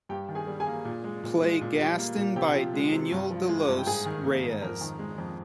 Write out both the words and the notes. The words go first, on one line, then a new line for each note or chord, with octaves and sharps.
Play Gaston by Daniel De Los Reyes.
G2 G4 G5
D#3
G#4 G#5
G3
G#4 G#5
A#3
A#2
G#3
A#2
G#3
A#2
G3
A#3
A#2
C3 G4 G5
F3
G#3
C3
G2
F3
G#3
G2
G5
G#2 G#4 G#5
D#3
A#3
G#2
F2 A#4 A#5
D#3
G#3
F2